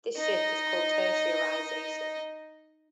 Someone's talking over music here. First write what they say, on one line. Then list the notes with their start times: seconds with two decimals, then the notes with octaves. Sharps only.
This shift is called tertiarisation.
0.17 D#4 D#5